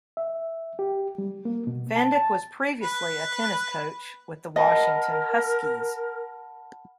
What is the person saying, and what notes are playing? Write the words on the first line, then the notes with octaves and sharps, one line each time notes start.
Fendick was previously a tennis coach with the Washington Huskies.
E5
G4
G3
A#3
B2
A5
A5
B4
A#4 D#5 F#5 A5 B5